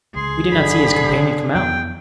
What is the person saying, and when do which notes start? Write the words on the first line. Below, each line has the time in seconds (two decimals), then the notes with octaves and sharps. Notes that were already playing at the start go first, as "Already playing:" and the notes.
"We did not see his companion come out."
0.16 C#2 G#4 C6
0.52 G1 D3 F#3 B5
1.54 F2 E3 B3 G5